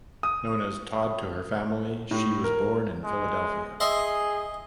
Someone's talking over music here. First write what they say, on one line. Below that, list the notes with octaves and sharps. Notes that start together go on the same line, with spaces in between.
Known as "Tod" to her family, she was born in Philadelphia.
D#6
A2
A#4
G#3
G#4 D#5 E5 C6